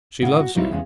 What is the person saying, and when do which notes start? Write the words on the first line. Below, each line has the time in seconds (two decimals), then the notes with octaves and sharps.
She loves you.
0.22 A2 C#3 F#5
0.40 F#4
0.55 A#2 F#3 G3 C4 D#4 E4
0.71 E2 C#3 G3 G#3 C#4